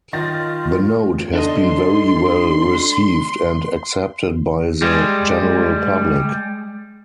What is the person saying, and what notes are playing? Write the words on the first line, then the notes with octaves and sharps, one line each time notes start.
The note has been very well received and accepted by the general public.
D#3 F4 A6 A#6
D4 A4 D#5 C6
G3 G#3